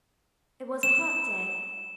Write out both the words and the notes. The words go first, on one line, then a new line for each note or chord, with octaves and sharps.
It was a hot day.
E7